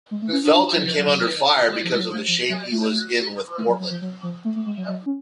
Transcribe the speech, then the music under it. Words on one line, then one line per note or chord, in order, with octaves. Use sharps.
Felton came under fire because of the shape he was in with Portland.
G#3
A3
C#4
D4
D4
F#3
F3
F#3
F3
G#3
F#3
A3
F3
F#3
A3
A3
F#3
F#3
F3
F#3
F3
A3
A3
G#3
F#3
F#3
C#4